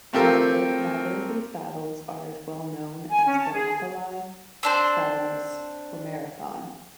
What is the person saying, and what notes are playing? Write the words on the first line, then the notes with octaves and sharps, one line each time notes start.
However, neither of these battles are as well known as Thermopylae, Salamis or Marathon.
A3 C4 F4 G4 A4 A#4
G#5
C#4
A5
G#4
C4 D4 C5